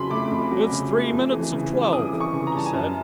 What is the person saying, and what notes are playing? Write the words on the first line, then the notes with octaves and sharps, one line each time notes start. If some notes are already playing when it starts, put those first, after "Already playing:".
"It's three minutes of twelve," he said.
Already playing: F2 C#3 F#3 B5 C6
A3 D6
F2
F#3
C#3
A3
F2
E3
C#3
G3
D6
F2 D#6
E3
C#6
C#3
A#5
G3 A5
G#5
F#2 A5